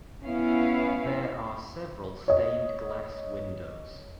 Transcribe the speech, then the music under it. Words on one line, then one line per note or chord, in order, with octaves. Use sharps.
There are several stained glass windows.
B3 C#4 E4 F5
C#5 D#5